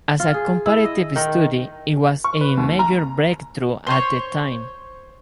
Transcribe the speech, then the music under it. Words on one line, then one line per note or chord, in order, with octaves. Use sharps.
As a comparative study it was a major breakthrough at the time.
F4
G#4
E4
D#5
D#3
C#6
B4
D#2
A#5
C5 C#5